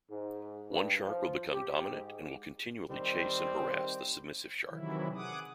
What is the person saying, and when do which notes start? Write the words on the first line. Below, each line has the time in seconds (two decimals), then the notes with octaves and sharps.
One shark will become dominant and will continually chase and harass the submissive shark.
0.10 G#2
0.70 G2
1.05 F3
1.52 G4
1.90 G#2
2.88 D#3 G3 C4
4.68 C3 D#3 E3 F#3 E4
5.15 G#4 F#5 D6 D#6